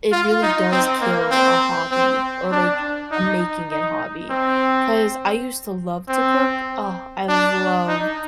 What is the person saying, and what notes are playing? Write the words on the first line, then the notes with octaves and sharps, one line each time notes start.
it really does kill a hobby or like a making-it hobby. 'Cause I used to love to cook. Ah, I loved
F4
D#4
C4
A#3
C4
C4
D4
D#4
D#4
C4
C4
D4
D#4